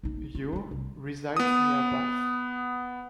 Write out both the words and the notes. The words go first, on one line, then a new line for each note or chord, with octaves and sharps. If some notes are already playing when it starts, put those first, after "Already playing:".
Ure resides near Bath.
A#1 D#4
F4
D4 F4
C2
B3 D#6